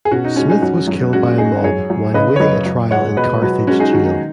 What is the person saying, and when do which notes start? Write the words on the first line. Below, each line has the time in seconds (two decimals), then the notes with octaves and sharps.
Smith was killed by a mob while awaiting a trial in Carthage Jail.
0.05 G#4
0.11 B2 C#4 F#4
0.24 D#4
0.36 G#3 C#4 F#4
0.50 D#4 G#4
0.62 F#2 C#4 F#4
0.88 F#2
1.13 G#3 C#4 F#4
1.38 G#2 D#4 G#4
1.64 F#2 G#4 C#5
1.90 F#2
2.14 C#3 B4 D#5
2.36 C#5
2.40 F#2 B4 D#5
2.66 F#2
2.91 G#3 C#5 F#5
3.17 B2 B4 D#5
3.42 F#3 F#4 B4
3.67 G#3 C#4 F#4
3.80 D#4 G#4
3.93 D#3 C#4 F#4
4.06 D#4